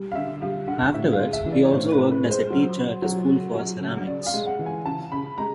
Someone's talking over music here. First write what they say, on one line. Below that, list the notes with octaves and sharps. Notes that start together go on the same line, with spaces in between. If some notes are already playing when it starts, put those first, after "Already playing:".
Afterwards, he also worked as a teacher at a school for ceramics.
Already playing: G3
F5
D3 E5
G3 F5
D3 F#5
A2 E5
F5
G#3
E5
E3
D5
C#5
A2 C5
B4
A2
B4
G#3
C5
F#3
C#3
F#3
C#3
F#3
C#3
C#3 D5
F5
G#3
F#5
E3
G#5
C#3 A5
C#3 B5
G#3 A#5